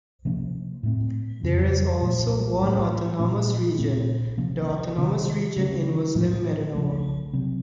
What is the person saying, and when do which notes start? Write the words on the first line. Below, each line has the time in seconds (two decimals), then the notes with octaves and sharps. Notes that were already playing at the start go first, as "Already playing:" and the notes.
There is also one autonomous region, the Autonomous Region in Muslim Mindanao.
0.25 C3 F3 A#3 C#4
0.83 A2 A3 C4
1.43 F2 C#3 F3
2.02 A#2 F3 A3
2.62 A2 F#3 A3 C#4
3.20 A#2 A3 C#4
3.78 A#2 A3 C4
4.38 C3 F3 A#3 C#4
4.97 C3 D#3 A#3 C#4
5.56 C#3 A3 C#4
6.15 A2 F3 A3 C#4
6.75 C#3 F3 A3 C#4
7.33 C3 F#3 C4